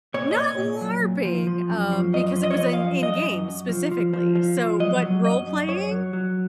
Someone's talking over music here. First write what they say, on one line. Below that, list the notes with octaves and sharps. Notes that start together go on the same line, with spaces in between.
Not LARPing, um, because it was an in-game specifically. So what role playing
A#2 C#5
D#5
A#2 C#5
A#2
F#3
A#2
F3
F3
F#2
F3
F#2 D#5
F3
D#5
C#5
F3 D#5
F5
F#2
F#2 D#5
F#2
F#2
F3
F3
F3
F3
F3
F#3 D#5
F#3
F#2 D#5
F#2
F#2 C#5
F#3
F#3